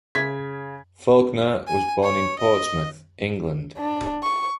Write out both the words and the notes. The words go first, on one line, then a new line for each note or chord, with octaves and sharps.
Faulkner was born in Portsmouth, England.
C#3 G#6 B6
G#5
C#5
D#5
D4
C#6